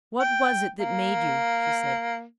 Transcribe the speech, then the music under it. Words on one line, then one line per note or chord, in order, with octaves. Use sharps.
"What was it that made you?" she said.
G5
A#3